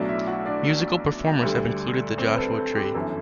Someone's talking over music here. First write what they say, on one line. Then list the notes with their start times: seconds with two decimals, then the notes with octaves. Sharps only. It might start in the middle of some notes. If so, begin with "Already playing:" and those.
Musical performers have included The Joshua Tree.
Already playing: B1 A2 F#3 D4 D5
0.08 E4 E5
0.27 F#4 F#5
0.46 D4 D5
1.42 D2 D3 G3
2.18 C4 C5
2.34 B4
2.38 A4
2.57 A4
2.75 G4
2.94 G1 F#2 E3 A4